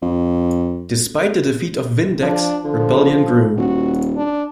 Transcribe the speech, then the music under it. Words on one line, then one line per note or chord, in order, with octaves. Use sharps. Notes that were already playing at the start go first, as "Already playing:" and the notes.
Despite the defeat of Vindex, rebellion grew.
F2
F3 D4
D3 F3
D#1 F#4
D4